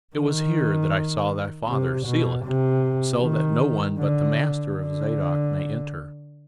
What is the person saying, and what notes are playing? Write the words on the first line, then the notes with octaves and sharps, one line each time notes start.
It was here that I saw thy father seal it so that no one but the master of Zadok may enter.
D#3
C3
B2
C3
D#3
D3
D3